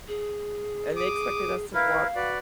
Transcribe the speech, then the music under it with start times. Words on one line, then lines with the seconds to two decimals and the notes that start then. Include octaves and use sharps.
and they expected us to walk
0.08 G#4
0.96 D6 D#6
1.74 E4 A#4 B4 F5
2.16 F#4 B4 D5